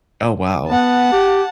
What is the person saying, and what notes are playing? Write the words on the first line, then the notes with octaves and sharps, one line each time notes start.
Oh, wow.
B3 F#5 A5
G4